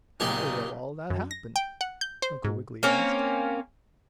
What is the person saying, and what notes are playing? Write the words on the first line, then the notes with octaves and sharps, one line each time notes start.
"How will all that happen?" Uncle Wiggily asked.
F#1 A#2 D#4 G4 G#4
F#2
A#6
G5
F#5
G6
C5
G#2
A#3 C4 C#4